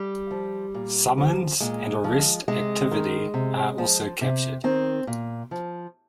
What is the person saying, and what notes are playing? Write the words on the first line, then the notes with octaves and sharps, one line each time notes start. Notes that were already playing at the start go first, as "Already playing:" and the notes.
Summons and arrest activity are also captured.
Already playing: G3
F3
A#2
F3
A#2 G#3
F3
C3 G#3
D#3
C3
F3
C3
D#3 C4
A#2
F3